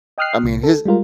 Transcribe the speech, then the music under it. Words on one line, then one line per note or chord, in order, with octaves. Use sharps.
I mean, his
D#5 G5 D#6 F6 F#6 C7
C2
A4
G3 G#3 F4 A#4